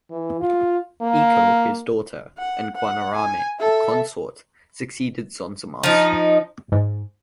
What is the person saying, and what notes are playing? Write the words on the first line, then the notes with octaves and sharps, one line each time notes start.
Ico, his daughter, and Guanarame, her consort, succeeded Zonzamas.
E3
F4
A#3
F#5
F#5
G#5
A4 E5
F3 D#4
G#2